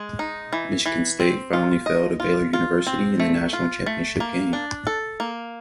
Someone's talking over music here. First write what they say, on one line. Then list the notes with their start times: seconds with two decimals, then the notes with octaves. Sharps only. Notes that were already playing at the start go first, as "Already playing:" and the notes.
Michigan State finally fell to Baylor University in the National Championship game.
Already playing: G#3
0.19 D#4
0.53 E3
0.86 E3
1.20 C4
1.53 F4
1.86 D#5
2.20 F4
2.53 F4
2.87 C4
3.20 A3
3.53 F4
3.86 A3
4.20 A#3
4.53 D4
4.87 A4
5.20 A#3